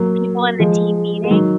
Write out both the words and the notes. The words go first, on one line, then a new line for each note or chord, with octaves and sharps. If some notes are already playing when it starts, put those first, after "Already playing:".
people in the team meeting?
Already playing: F#3 A#3
F3 G#3
G#3
D#3 F#3